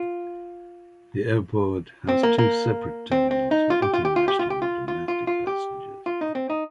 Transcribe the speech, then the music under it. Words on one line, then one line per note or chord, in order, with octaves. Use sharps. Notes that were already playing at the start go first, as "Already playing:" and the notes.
The airport has two separate terminals for international and domestic passengers.
Already playing: F4
C4
A#3
A#3
C4
C4
D#4
F4
G4
F4
G4
F4
G4
F4
G4
F4
F4
F4
F4
G4
F4
D#4
C4
D#4